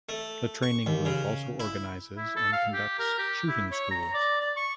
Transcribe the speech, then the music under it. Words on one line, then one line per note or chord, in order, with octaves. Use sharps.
The Training Group also organizes and conducts shooting schools.
A3
C#6
D#2
C#3
E4
E4
A4
F5
G4
A#4
G4
E4
C#5
A#5
D5
D5
C#6